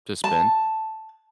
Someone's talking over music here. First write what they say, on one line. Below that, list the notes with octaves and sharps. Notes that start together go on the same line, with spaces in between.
to spend.
A5